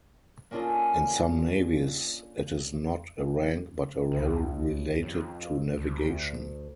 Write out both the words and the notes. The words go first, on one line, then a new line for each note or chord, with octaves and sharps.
In some navies, it is not a rank but a role related to navigation.
A#3 C#4 D4 F4 G#4 A4
C#2
F2
D2